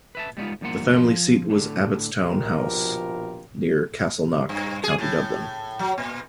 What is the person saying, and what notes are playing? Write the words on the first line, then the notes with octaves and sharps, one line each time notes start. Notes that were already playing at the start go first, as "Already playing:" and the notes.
The family seat was Abbotstown House, near Castleknock, County Dublin.
B4 E5 A5
G3 G#3 B3 C4 D#4 F4
E2 G2 F3 A#3 F#5 C6
F3 C6
A2 D3
A#1 B2 F3 F4 G4 A#4
G2
G#4
A2
F#3
A#2